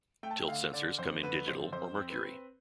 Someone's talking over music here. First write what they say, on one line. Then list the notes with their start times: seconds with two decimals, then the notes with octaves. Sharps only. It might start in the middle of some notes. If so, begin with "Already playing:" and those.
Tilt sensors come in digital or mercury.
0.23 A3 G5
0.31 A5
0.37 G5
0.48 D3 F5
0.73 D3 D5
0.99 F2 C5
1.23 D3 B4
1.48 F2 C5
1.73 F2 C5
1.98 C4
2.10 B4
2.23 C4